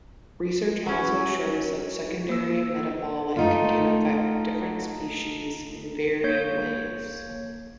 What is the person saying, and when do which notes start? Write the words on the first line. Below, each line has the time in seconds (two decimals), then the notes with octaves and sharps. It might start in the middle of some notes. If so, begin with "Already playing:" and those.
Research also shows that secondary metabolic can affect different species in varying ways.
0.86 F#3 C#4
2.29 A#3 E6
3.37 A3 D#4 F4
6.24 A#3 C#5 G6